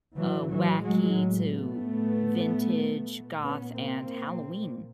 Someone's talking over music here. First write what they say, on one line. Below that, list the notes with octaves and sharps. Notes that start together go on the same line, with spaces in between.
uh, wacky to vintage, goth, and Halloween.
A2 E3 F#3
E3 F#3
F#3 G#3
A3 B3
A#2
B3 C#4
A#3 C4